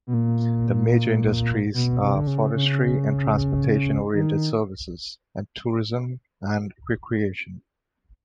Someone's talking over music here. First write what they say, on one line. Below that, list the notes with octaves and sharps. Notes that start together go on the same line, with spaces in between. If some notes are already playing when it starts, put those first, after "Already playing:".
The major industries are forestry and transportation-oriented services and tourism and recreation.
B2
A#2
B2
C3
D3
C#3
C#3
D#3